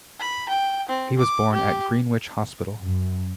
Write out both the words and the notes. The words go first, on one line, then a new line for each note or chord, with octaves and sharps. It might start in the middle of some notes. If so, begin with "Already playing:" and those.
He was born at Greenwich Hospital.
B5
G5
C4
D6
G4
F#2